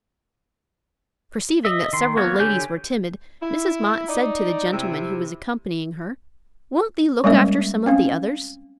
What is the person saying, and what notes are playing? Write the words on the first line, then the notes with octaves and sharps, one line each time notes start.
Perceiving that several ladies were timid, Mrs. Mott said to the gentleman who was accompanying her, "Won't thee look after some of the others?"
D#5 E5
D#3 C6
A#3 B3 F#4 C#5
D3 G4 C#5 G#5 G6
E4
D#4 D5
C3 E4
G3 G#3 A#3 C#4 A#4 E5
C4 C#4 F5